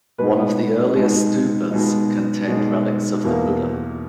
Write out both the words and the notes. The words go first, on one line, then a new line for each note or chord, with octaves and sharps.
One of the earliest stupas, contained relics of the Buddha.
B2 G#3 D#4 B4
B2 G#3 D#4
B2 G#3 D#4
B2 G#3 D#4
E2 B2 A#3 E4 A#4